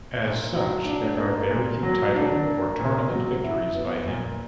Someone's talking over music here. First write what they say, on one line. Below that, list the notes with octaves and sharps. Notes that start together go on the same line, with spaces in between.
As such, there are very few title or tournament victories by him.
A#2
F#3
D4
A#3
A#2
F#3
D4
A#3
A#2
F#3
E4
B3
A#2